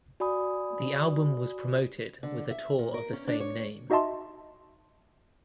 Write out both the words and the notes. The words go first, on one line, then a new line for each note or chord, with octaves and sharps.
The album was promoted with a tour of the same name.
F#4 D5 G#5 B5 D#6
D3
E5
A#2
A#4
C#4
D4
C#5
D#4 F#4 D#5 E5 A5 C6